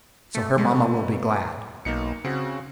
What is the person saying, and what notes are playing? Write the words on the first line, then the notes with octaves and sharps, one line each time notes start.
So, her mamma will be glad.
A3
B2 A3
B1 A#3 D#4 C#7
C#3 C4 F#4